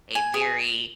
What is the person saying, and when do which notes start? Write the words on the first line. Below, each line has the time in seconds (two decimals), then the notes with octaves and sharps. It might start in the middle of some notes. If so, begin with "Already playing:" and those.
a very
0.15 G#5
0.34 G#4